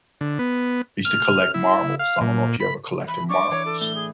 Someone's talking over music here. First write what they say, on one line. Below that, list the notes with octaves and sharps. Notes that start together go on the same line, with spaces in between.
I used to collect marbles. I don't know if you ever collected marbles,
D3
B3
F6
E4
F5
A#2
B5
E3 B5
D4 D5 C#6 D6
E3 C#5
A4
A2 G7
G#4